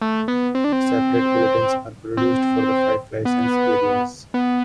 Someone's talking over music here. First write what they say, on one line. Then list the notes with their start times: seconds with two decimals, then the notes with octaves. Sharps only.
Separate bulletins are produced for the five licence areas.
0.01 A3
0.28 B3
0.55 C4
0.64 D4
0.73 C4
2.17 C4
3.25 B3
4.34 B3